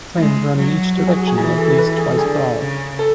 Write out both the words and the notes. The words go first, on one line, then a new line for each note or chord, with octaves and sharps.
Trains run in each direction at least twice per hour.
G#3 E4
F#3
F#4
G#4
F#4
G#4
E3 G#4
A4
A4
B4
A4
G#4
A4
D3 G#4
C#3
A4